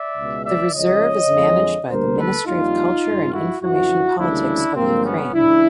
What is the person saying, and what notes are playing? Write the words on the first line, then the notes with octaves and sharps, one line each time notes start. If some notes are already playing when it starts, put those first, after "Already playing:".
The reserve is managed by the Ministry of Culture and Information Politics of Ukraine.
Already playing: D5 E5
C#2 B2 G#3
D5 E5
C#2 C#3 F3 C#5 D#5
F2 D3 F3 G#3
D2 D3 G3 A#3 A#4 C5
A4 B4
F2 D3 G3 A#3 D#4 F4
G2 D#3 G#3
E4 F#4
F#2 D3 F3 E4 F#4
D2 C#3 E3 G3 A#3 D4 E4
G2 D3 F3 G#3 A#3 C4
B3 C#4
C#2 C#3 E3 D4 E4